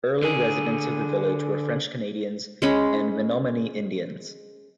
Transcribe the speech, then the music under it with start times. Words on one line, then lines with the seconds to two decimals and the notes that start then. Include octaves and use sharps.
Early residents of the village were French Canadians and Menomonee Indians.
0.22 D3 G#4
2.62 G#3 C#4 B5